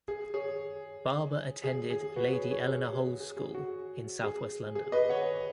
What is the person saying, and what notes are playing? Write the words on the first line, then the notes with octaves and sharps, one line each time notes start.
Barber attended Lady Eleanor Holles School in south-west London.
G#4
G#4 C#5
G#4
G#4
F#4 B4
G#4 C#5
G#4 C#5
G#4
G#4
G#4
G#4
F#4
G#4
G#4
B4 D#5
C#5 F#5